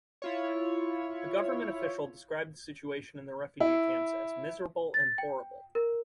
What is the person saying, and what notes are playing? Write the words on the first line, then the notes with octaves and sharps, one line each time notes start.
A government official described the situation in the refugee camps as "miserable and horrible".
E4 F4 C#5
E4
A6
G5
A#4